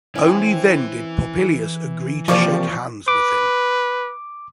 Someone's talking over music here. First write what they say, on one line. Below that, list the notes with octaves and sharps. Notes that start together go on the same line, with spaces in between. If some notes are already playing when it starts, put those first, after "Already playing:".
Only then did Popillius agree to shake hands with him.
E3 C4 C#4 E4
C3 F3 A#3 D5 C#6 D6
B4 D6